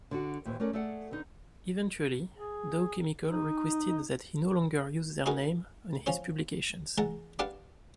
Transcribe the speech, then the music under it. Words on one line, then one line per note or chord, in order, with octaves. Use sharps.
Eventually, Dow Chemical requested that he no longer use their name on his publications.
D3 D4 F#4
D#2 A#2 E3 C4
A3 C#4 A#4 D5
A3 G#4 A4 D5 F#5
D3 B3 D#4
G#4
D#4
D#4 F#4 G#4 A#4 B4
F3 C#4 C5
E3 G#3 F#5 A5 A#5
D4 G4 B4 F5 F#5 A5